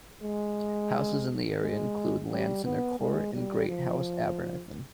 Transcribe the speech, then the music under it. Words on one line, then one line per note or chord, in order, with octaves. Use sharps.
Houses in the area include Llansannor Court and Great House, Aberthin.
G#3
G#3
G3
B3
G#3
G3
F3